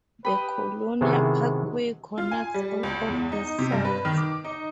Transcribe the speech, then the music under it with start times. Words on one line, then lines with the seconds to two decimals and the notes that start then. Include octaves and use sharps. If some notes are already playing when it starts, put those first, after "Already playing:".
The Colonial Parkway connects all of these sites.
0.25 G4 B4 D#5 B5
1.01 C3 D#3 G#3 B3 E4 F#4
2.18 F4
2.31 G#5
2.54 G3
2.83 C#2
3.08 E2
3.32 D#4
3.58 C3
3.72 G2
3.85 B4
4.05 D#3
4.18 D6
4.44 D#4